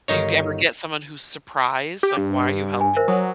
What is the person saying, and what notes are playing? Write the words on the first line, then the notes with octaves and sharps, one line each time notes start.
Do you ever get someone who's surprised? Like, "Why are you helping me?"
G1 D#3 D#4 C#5
G4
G2
G#5
A#4 C5 E5
F#3 D#6